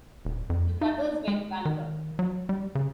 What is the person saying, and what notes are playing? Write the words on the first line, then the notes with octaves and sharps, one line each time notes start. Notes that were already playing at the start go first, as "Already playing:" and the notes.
The brothers went bankrupt.
D#1
F2
D#4
G#3
D#3
F#3
G3
C#3